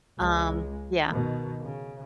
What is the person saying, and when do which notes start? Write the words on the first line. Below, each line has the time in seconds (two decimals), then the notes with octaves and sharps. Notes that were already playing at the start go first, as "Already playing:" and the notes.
Um, yeah
0.18 C#2 G#3
1.11 B2 D#3
1.61 C#3